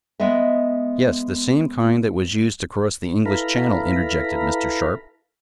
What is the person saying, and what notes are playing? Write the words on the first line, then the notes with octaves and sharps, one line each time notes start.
"Yes, the same kind that was used to cross the English Channel," interjected Mr. Sharp.
G#3 B3 D#5 E5
E4 A4 B4 F5 A#5 B5